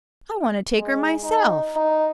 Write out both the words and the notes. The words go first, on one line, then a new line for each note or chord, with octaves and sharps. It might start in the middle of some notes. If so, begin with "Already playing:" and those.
"I want to take her myself."
G#3
D#4
D#4